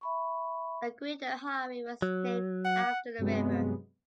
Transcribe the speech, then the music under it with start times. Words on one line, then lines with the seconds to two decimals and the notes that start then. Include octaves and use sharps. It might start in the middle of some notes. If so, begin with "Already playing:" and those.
The Gwydir Highway was named after the river.
0.01 E5 B5 C#6
2.02 F#3
2.65 F#5
3.18 G2 C3 F#3 G#3 B3